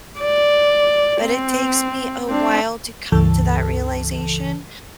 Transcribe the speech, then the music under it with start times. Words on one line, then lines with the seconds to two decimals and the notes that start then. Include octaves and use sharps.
but it takes me a while to come to that realization.
0.20 D5
1.22 C4
2.28 C4 D4
3.12 C#2 G2 C#3 E3 A4 A5